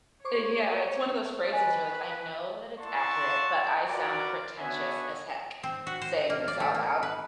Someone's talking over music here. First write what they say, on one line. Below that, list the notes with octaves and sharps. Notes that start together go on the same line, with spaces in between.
Yeah, it's one of those phrases you're like, "I know that it's accurate, but I sound pretentious as heck, saying this out loud."
C5 C#5 C#6 D6
B4 D#5 G#5
E4 D5 F#5 A5 C6 C#6
F4 F#4 A#4 B4 D5
B3 D4 F#4 C#5 E5 G#5
C4
F#4
C5
A#3
D5
A3
A#3
B4